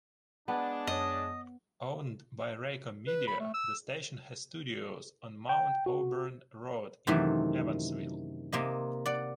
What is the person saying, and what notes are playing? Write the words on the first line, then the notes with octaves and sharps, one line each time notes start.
Owned by Raycom Media, the station has studios on Mount Auburn Road in Evansville.
G#3 B3 D4
F#2 C#5 D#5
B4
B5
A3
E6
G5
F#4
F#2 C3 D#3 E3 A3
C3 A#3 D#5
D5 F#5